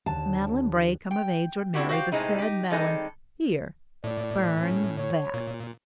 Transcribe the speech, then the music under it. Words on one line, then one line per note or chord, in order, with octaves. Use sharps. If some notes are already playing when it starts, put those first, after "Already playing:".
"Madeline Bray--come of age or marry--the said Madeline"--here, burn THAT!'
D#2 D3 A5
G5
C4 D4 E4 F#4 G4
F#4 G4 C5 E5 F5 G5
A2 C3 G#3 C4 D#4 E4
D#4 G4
D#3 G3 G#3 C4 D#4 A4
A2 D5
C#4
C#5
A#2